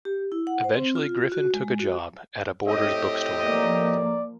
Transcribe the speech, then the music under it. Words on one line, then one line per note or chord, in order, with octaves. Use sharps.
Eventually, Griffin took a job at a Borders bookstore.
G4
E4
F#5
C5
C4
F4
F#4
G#3
F#4
A2 C4 G4 D#5
F3 A#3 D5